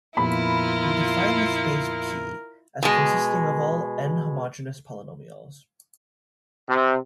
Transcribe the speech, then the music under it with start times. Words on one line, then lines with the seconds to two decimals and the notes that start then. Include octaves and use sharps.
We define the space "P" as consisting of all "n"-homogeneous polynomials.
0.17 F2 A#2 B3 E4 F4 A#4 B5
2.83 B2 G#3
6.69 C3